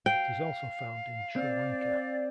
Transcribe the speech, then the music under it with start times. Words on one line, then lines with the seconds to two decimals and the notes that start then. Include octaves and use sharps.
It is also found in Sri Lanka.
0.06 F5 G5
1.36 C4 D5